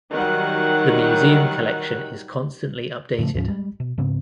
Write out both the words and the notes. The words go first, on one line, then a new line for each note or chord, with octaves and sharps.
The museum collection is constantly updated.
D#3 F#3 G3 F#5
A2 C#3 F3 A3
D2 G#2 F3 C#4
G3 G#3
B2
G#2 C#3 B3 C4